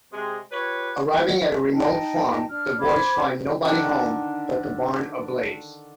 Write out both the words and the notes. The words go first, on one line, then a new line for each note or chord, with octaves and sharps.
Arriving at the remote farm, the boys find nobody home but the barn ablaze.
C3 G#3
F4 G4 B4 C#5
D#4 G5 A5
D4 F6
C5 B5 D6 G#6
D3 D#3